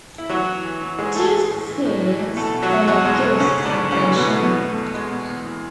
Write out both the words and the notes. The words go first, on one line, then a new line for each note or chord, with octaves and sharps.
Due to Phears, they are ghosts like their children.
E4
E3 F#3 F#4
E3
E3
E3
G#2 G#3 G#4
E3 A3 A4
E3
A2
E3
A2
E3
E3
B2 A3 A4
B2
F#3 F#4
E2
E2 F#3 F#4
B2 G#3
B2 A3
G#2 C#3 C#4
G#2
D3 D4
G#2
C#3 E3 C#4
C#3 E3 C#4
B2 B3
E3 A3
E2 B2 B3
E2
A3
E2
B2 G#3
B2
E2
E3